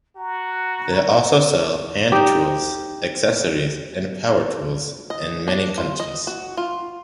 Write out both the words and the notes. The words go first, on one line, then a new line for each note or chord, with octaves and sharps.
They also sell hand tools, accessories and power tools in many countries.
F#4 A#5
D#4 G4
D#5
D4
F4
D#5
F#4
F4